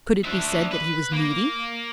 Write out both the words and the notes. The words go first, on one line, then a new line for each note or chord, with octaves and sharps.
Could it be said that he was needy?
D4 E5
B4
A#3